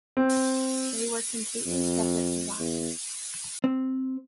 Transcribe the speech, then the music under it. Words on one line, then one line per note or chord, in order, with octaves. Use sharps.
They were completely separate designs.
C4
F2
E2
C4